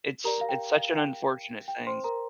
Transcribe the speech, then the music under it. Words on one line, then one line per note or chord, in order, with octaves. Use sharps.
it's it's such an unfortunate thing.
G4 A#4 D5 A#5
F5
G5
F5
G5
G5
C5 C6
A#4 A#5